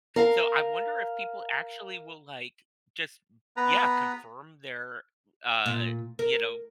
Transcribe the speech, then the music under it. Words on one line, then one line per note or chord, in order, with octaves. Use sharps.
So, I wonder if people actually will, like just yeah confirm their, uh, you know,
A#4 F5 A#5
B3 B4 A#5
A#2
A#4